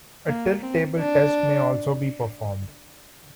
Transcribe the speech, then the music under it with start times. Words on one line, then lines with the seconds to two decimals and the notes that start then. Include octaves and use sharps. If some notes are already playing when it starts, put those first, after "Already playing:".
A tilt table test may also be performed.
0.28 A#3
0.63 C4
0.98 D4